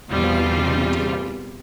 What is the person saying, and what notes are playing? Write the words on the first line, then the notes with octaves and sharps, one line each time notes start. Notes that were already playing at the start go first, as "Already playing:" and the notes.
Know whom you deal with.
E2 B2 G3 C4 F4